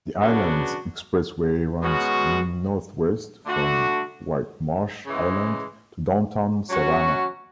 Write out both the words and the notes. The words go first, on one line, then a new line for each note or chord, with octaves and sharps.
The Islands Expressway runs northwest from Whitemarsh Island to downtown Savannah.
C#3 F#3 B3 D4 F#4
B2 G#3 C#4 F#4
D3 A3 D4 F#4
C#3 E3 G#3
F#3 C#4 F#4